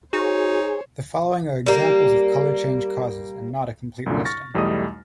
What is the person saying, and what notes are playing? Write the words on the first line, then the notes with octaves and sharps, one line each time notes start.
The following are examples of color change causes and not a complete listing.
D#4 F#4 G#4 C5 C#5
G3 A#3
C2 F#2 A#2 D3
C#6 F6 A6 A#6
B1 E2 G3 A3 D#5 D#6